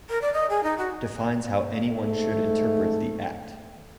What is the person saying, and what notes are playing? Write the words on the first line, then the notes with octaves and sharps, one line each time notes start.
Defines how anyone should interpret the Act.
A#4
D5
D#5
G#4
D#4
F#4
G#2 A3